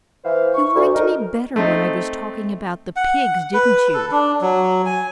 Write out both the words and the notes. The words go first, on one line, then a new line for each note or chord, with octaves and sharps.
"You liked me better when I was talking about the pigs; didn't you?"
E3 C5 F5
C#6
D2
D#4 A#4
A3 C4 D#4
F#5
B4
A4
D4
F#3
G#5